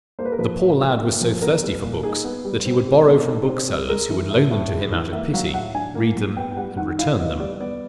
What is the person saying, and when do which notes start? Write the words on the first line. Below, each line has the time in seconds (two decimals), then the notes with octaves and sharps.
The poor lad was so thirsty for books that he would borrow from booksellers who would loan them to him out of pity, read them and return them.
0.19 A#3 C5
0.25 B4
0.32 A#4
0.39 F3 B4
0.59 A2
0.80 A2
1.00 A#3
1.21 F3
1.42 B3 A#4
1.63 G3
1.83 A#2
2.03 D#4 G#4
2.24 B3
2.45 G3
2.66 C4
2.86 G3
3.07 B2
3.27 D#4 A4
3.48 C4
3.68 G3
3.89 G#3 A#4
4.10 E3
4.30 A2
4.51 A2
4.71 G#3
4.92 E3
5.13 A#3 E5
5.34 F#3 F5
5.54 A2 F#5
5.74 D4 G#5
5.95 A#3
6.16 F#3
6.37 B3 G5
6.51 G5
6.57 G3 F#5
6.77 D#3 F#5
6.99 E4 F5
7.19 B3 D#5
7.40 G3 D5
7.60 B3 D5